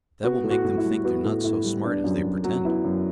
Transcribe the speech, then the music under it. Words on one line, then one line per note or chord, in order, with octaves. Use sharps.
"That will make them think they're not so smart as they pretend."
B3 F#4
A2
F#4
A2
E4
G3
B3 F#4
A2
A2 E4
G3
B3 D4
F#2
F#2
F#3
B3 E4
F#2